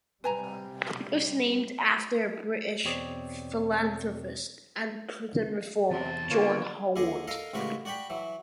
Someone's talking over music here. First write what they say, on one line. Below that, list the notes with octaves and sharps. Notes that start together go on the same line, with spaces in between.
It was named after a British philanthropist and prison reformer, John Howard.
C3 G3 B4 G#5 A#5
E2 B2 C4 C#5 D5 D#6
E2 C3 A5 C6
D3 A#3 B3 F4 C#5
D#2 D3 G#4 D5 D#5
A4 A#4 D#5 F5
A1 C#3 G#3 F#4 A#4 B4
F#4 D5 F#5 G5 B5
E3 F#3